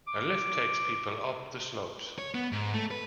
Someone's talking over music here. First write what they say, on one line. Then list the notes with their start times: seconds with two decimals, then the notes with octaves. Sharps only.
A lift takes people up the slopes.
0.07 D6
2.18 C#5
2.35 B3
2.52 G#2
2.73 A3
2.91 B4